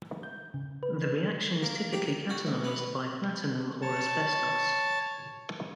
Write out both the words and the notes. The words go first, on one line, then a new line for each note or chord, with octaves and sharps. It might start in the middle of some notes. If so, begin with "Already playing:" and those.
The reaction is typically catalyzed by platinum or asbestos.
G6
C#3
B4
A#3
G4
F#4
D2
B3
C#5 A5 A6